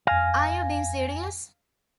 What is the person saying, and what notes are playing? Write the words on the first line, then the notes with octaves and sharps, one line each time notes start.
Are you being serious?
F2 F5 G#5 A#6